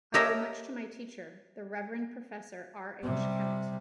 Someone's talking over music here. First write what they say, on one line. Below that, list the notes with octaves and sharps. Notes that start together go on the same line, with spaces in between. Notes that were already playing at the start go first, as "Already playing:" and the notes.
I owe much to my teacher, the Reverend Professor R. H. Kennett.
G4 A4 A#4 C#5 D#5 E5
C3 G3